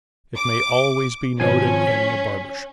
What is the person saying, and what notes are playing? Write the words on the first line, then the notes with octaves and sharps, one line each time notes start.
It may always be noted in the barber shops.
D6
G#1 F3 C#4 G#5
B6